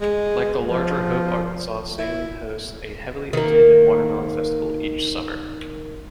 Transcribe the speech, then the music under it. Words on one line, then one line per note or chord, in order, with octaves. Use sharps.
Like the larger Hope, Arkansas, Saline hosts a heavily attended Watermelon Festival each summer.
G#3
F3
E4
D#3 A#3